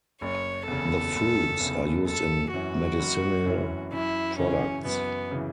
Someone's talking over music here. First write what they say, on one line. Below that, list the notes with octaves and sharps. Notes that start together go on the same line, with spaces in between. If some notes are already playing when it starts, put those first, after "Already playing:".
The fruits are used in medicinal products.
F#1 C#5
E2 C#3 A4
F#1
E2 C#3
F#1 A4
F#2 E3 C#4 F#4
F#1
F#2 E3 C#4
F#2 E4
C#3 E3 C#4
F#2 B3
C#3 E3